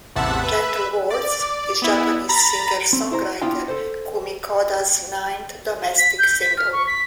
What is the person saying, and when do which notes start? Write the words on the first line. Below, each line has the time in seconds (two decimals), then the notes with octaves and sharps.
"Gentle Words" is Japanese singer-songwriter Kumi Koda's ninth domestic single.
0.16 A1 E2 C3 E5 F#5 A5
0.42 B4 E5
1.10 D5
1.82 B3 E4
2.29 A#5 B5 A6 A#6
2.93 C4
3.12 E4 C5 A#5
3.42 B3 D4 E4 F4 F5 G5
3.68 A4 C5
5.98 B6
6.19 G6
6.41 B6
6.57 F6
6.73 C#6
6.87 B6